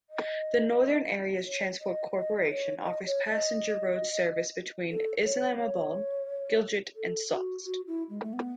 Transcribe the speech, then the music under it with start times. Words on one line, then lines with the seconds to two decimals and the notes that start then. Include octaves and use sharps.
The Northern Areas Transport Corporation offers passenger road service between Islamabad, Gilgit and Sost.
0.10 D#5
1.46 C#5
1.81 D#5
2.15 D#5
2.50 C#5
2.83 D#5
3.06 C#5
3.30 D#5
4.91 A4
5.24 C#5
5.59 C#5
6.96 A4
7.30 F#4
7.65 F#4
7.87 E4
8.10 G#3
8.22 A3
8.33 B3